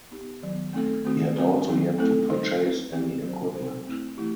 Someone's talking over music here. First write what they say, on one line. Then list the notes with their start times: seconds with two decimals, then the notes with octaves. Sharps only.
He had also yet to purchase any equipment.
0.11 B3 D#4 G4
0.42 D#3 F#3 B3
0.73 A3 C4 D#4 A4
1.05 D#3 A3 C4 F#4
1.36 G3 C4 F#4 B4
1.67 F#3 C4 D#4
1.98 A3 C4 E4 A4
2.30 G3 D#4 F#4 C5
2.61 C4 E4 B4
2.92 C4 E4 G4
3.23 F#3 C4 F#4 C5
3.55 C4 D#4 F#4 A4 C5
3.86 A3 C4 E4
4.17 E3 A3 E4 G4